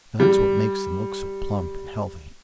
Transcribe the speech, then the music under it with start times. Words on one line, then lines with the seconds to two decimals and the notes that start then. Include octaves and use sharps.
That's what makes them look so plump and healthy.
0.20 G3